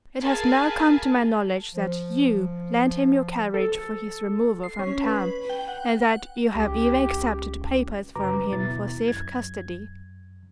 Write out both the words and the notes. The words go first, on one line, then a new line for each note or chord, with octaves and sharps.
It has now come to my knowledge that you lent him your carriage for his removal from town, and that you have even accepted papers from him for safe custody.
G#4 A#4 F5 G#5 A5 B5
F3
A4
C7
C#4
B4
G5
F#5
C#2 G4
F#2 C#3 F#3 B4 A#5 D6
D#2 B2 E4 A6
F#2 G#6